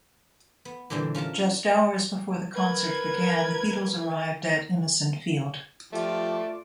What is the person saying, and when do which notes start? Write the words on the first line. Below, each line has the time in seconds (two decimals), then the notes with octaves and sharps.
Just hours before the concert began, the Beatles arrived at Imeson Field.
0.65 B3
0.90 A#2 D3 E3 G3 C4
1.15 C#4 F4 A#4 A5
2.53 A#4 B4 G#6
5.93 F3 A3 F4 G4 D5